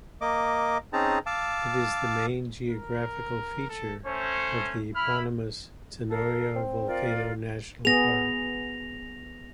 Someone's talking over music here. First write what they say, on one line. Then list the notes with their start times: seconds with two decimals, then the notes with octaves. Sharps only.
It is the main geographical feature of the eponymous Tenorio Volcano National Park.
0.21 A#3 D#5 D6
0.93 C4 C#4 D#4 G#4 A5 A#5
1.26 F5 A5 D6 E6
2.69 A#4
3.69 A4
4.06 A3 C#4 C5
4.95 E4 B5 F6
6.09 A4 A#4 F5
6.55 C4
6.86 F4 A#4 D5
7.85 B3 G#4 A#6 F7